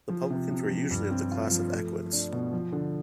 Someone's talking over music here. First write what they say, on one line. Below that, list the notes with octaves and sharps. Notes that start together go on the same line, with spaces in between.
The publicans were usually of the class of equites.
F3
C3
C3
F3
G2
C4
F4
F3
A3
A3
D4
B2
F3
D3